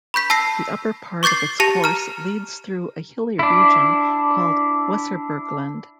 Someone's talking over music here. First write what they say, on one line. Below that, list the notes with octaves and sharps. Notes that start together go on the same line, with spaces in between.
The upper part of its course leads through a hilly region called the Weserbergland.
B5 C#6 G6 B6
A5 E6 A#6 C7
C#6 D6 G6 A6 C7
G4 A5 A#6 C#7 F7
A#5 F6
D4 E4